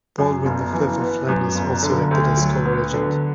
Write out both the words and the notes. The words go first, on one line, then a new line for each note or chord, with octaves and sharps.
Baldwin the Fifth of Flanders also acted as co-regent.
F#2
G1
E3
B3
F#2
G1
D3
D2
F#3
B3
D3